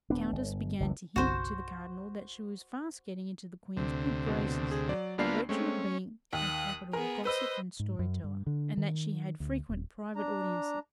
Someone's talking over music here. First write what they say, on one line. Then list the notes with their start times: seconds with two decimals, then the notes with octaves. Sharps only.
The countess began to hint to the cardinal that she was fast getting into the Queen's good graces, by virtue of being a capital gossip and story-teller; and that she had frequent private audiences.
0.10 D#1 B3 D4
0.32 G1
0.80 F#1 C#2 E3
1.16 G1 C2 F#4 C5 E7
3.77 D2 C3
4.27 B2
4.71 G#4
4.88 F#3 D5
5.18 D2 A#3 B3 D4 F4 C7
5.49 G#3 A3 C4 C#4
6.33 D#2 D#6 F#6
6.93 B3 G#4 A#4
7.25 B4 C5 D#5 E6
7.79 G#2
7.99 F#2
8.24 G2
8.46 D3
8.77 D#3
9.40 D2
9.69 D#1
10.16 D4 A#5